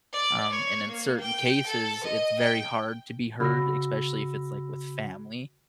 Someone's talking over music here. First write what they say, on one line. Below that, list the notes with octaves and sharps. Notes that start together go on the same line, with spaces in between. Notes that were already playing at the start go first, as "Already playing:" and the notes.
um, and in certain cases, it's very hard to be heard, especially if it's, like, with family,
D5
C#5
A#3
G5
A4
D#5
G5
C#3 F#4 B5 E6 A#6